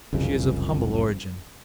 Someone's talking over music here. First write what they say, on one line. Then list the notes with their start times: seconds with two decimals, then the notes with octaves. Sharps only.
She is of humble origin.
0.13 F#1 C2 F2 C#3